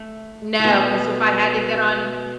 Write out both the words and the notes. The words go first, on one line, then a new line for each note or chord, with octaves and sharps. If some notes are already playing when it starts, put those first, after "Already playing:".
No, 'cause if I had to get on
Already playing: A3
B2 A3 B3